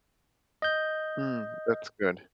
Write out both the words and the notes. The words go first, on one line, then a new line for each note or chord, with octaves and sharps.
Mm, that's good.
D#5 G6